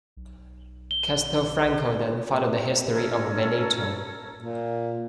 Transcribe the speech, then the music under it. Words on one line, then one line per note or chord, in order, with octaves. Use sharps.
Castelfranco then followed the history of Veneto.
B1
G7
C#4 A4 A#4
A#2